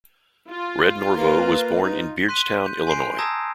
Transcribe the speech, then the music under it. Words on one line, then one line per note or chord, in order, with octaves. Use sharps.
Red Norvo was born in Beardstown, Illinois.
F4
A#3 B4
D#4
C6 F#6 B6 D#7
G6
G#5 C6 G6 C7 D7
A5 A#5 D#6 E6 G#6 A#6